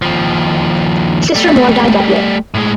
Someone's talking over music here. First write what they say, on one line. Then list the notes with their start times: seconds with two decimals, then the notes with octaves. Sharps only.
Sister More died that year.
0.02 D#2 F3
1.35 G3 A3
2.54 A2 G#3